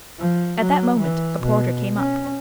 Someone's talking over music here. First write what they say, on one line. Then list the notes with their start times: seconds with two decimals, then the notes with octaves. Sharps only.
At that moment a porter came up.
0.19 F3
0.58 F#3
0.99 E3
1.42 B2
1.97 C#4